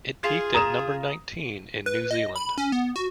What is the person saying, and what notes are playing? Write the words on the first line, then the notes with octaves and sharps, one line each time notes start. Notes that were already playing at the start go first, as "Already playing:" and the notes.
It peaked at number nineteen in New Zealand.
F4 G#4
A#5 D#6 E7
B4
D#5
B5
C#4
B3
F#4